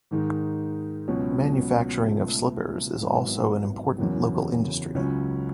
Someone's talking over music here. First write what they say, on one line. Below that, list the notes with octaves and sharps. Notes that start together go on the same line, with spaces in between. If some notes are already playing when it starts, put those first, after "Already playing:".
Manufacturing of slippers is also an important local industry.
G#2 D#3 G#3 D#4
C#2 B2 F#3 C#4
C#2 B2 A3
G#1 G#2 F#3 B3 E4
F#1 E2 C#3 F#3
C#2 C#3 F#3 C#4